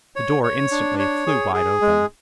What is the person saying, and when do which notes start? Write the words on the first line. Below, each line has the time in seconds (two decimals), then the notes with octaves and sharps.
The door instantly flew wide open.
0.16 C#5
0.43 C#5
0.71 D4
0.99 C#5
1.27 G#4
1.54 G#4
1.82 G#3